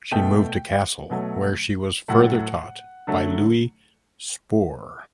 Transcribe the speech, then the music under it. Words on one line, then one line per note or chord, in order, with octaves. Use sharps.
She moved to Kassel where she was further taught by Louis Spohr.
B2 A3 G5
B2 F#3 A3
A2 F#3 A3 F#5
D3 F#3 A3